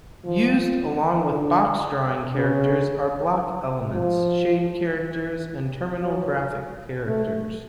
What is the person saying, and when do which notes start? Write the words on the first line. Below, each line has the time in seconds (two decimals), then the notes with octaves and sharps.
Used along with box-drawing characters are block elements, shade characters, and terminal graphic characters.
0.25 F3
1.31 D3
2.35 C#3
3.93 F3
6.03 F#3
7.07 A3